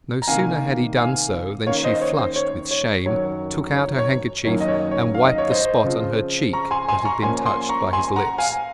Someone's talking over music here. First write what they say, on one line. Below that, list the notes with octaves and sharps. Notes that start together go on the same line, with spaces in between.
No sooner had he done so than she flushed with shame, took out her handkerchief, and wiped the spot on her cheek that had been touched by his lips.
A#5
C3 D#3 A#3 F5 G#5
F5 G#5
D#3 A#3 C#4 C#5 F5
C5 D#5
C#5
C5
C#5
C#5
F#2 D#3 F#3 C#5
C#5
C#5
F#2 D#3 F#3 A#3 C#5
D#5
C#5
C#5
F5
D#5
C#5
C5 D#5
C#3 F3 C4 F4
A#5 C#6
G#5 C6
G#5 C6
A#5 C#6
A#2 F3 A#3 C#4 G#5 C6
G#5 C6
A#5 C#6
G#5 C6
F#5 A#5
F5 G#5